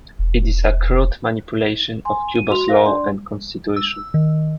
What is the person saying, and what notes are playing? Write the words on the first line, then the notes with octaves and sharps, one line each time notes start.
It is a crude manipulation of Cuba's laws and Constitution.
E1
G#5 C6
D#7
F#4 C6 F7
A#4 C5 F5 A#6
D4 D5 C6
E6
D#3